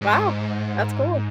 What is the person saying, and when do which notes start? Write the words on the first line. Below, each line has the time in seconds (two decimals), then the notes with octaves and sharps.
Wow, that's cool.
0.02 G#2